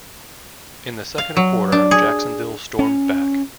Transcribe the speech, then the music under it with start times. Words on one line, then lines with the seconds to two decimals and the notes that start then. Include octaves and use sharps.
In the second quarter, Jacksonville stormed back.
1.18 F5
1.37 F#3
1.72 D4
1.91 G#4
2.79 C#4